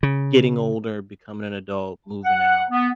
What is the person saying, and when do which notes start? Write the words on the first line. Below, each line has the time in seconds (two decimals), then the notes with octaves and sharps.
getting older, becoming an adult, moving out,
0.03 C#3
2.25 F#5
2.71 B3